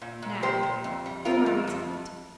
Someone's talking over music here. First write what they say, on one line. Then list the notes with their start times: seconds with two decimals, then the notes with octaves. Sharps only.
"Now, whom are we to eat?"
0.01 A#2
0.22 A#2
0.42 A#2 G4 C5
0.63 A#2
0.84 F2
1.06 G3
1.25 F2 F4 A#4
1.46 F2
1.67 F2